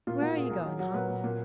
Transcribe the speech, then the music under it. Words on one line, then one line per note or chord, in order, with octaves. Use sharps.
'Where are you going, Hans?'
A#2 F4
A#2 F#4
A#2 G#4
G#4
A#2 A#4
F#3
F#3
A#2 B4
A#2
A#2